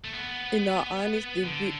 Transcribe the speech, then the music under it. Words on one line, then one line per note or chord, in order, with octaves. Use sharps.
in all honesty, be
A3
B3
D3